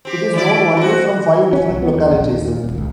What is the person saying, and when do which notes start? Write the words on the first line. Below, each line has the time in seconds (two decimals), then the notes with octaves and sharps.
It is known only from five different localities.
0.05 C4 G4
0.33 D#3 E4 D5
0.77 C4 F#4
1.53 C#4
1.70 C2
1.82 B3
1.93 E2
2.12 A#1
2.30 D#2
2.48 A#2
2.64 D#1
2.78 C#2